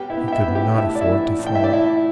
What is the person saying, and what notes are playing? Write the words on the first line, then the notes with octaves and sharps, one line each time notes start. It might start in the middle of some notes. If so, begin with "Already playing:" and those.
He could not afford to fall.
Already playing: B3 G4 G5
E4 E5
B3
G5
E4 E5
B3
G4 G5
A3 E4 E5
D5
E4 E5
E3
A2
G5
E5
D5
A2 E4 E5